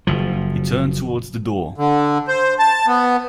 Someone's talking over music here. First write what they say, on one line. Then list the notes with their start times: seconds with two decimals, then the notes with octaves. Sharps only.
He turned towards the door.
0.07 F#1 F3
1.78 D3
2.28 C5
2.59 A5
2.87 B3